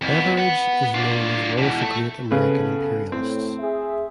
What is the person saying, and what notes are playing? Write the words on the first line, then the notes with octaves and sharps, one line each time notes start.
Beveridge is known as one of the great American imperialists.
F2 B3
B4 F#5
D4 F4
E2 B2
A3 A4
C#3 B3 A4 B4
A2 C4
G#4 E5